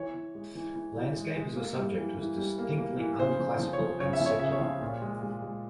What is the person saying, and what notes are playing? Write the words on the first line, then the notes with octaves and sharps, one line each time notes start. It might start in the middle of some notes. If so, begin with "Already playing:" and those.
Landscape as a subject was distinctly unclassical and secular.
Already playing: E3 C#5
E3
G#3
E3
E3
E3
G#3
G#3
A#3
G3
E3
E3
G3
A#3
A#3
E3
C#3 C5
F3
F3
C#5
F3
C#3 C#5
E5
F3
C#5
C#3 E5
C#5
F3
A#2
G#3
G#3
G#3